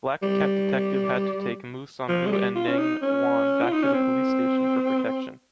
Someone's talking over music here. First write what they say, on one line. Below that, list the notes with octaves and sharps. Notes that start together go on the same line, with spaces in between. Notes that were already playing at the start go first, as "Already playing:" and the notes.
Black Cat Detective had to take Mou Sandu and Neng Yuan back to the police station for protection.
G3
F3
G#3
G3
F4
C#4
D#4
C#4
F4
D#4
C#4
C4